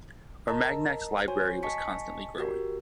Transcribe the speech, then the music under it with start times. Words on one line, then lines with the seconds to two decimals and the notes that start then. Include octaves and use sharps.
Armagnac's library was constantly growing.
0.48 A#4 D#5 A5 A#5
1.28 F#4 C5 C#5 G#5 C6
1.63 D#5 G#5 A5 C#6 B6 C#7
2.38 F#4 G4 A#4